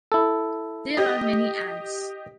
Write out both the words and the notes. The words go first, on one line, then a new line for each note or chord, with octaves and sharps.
There are many ads.
E4 A4
G4 D#5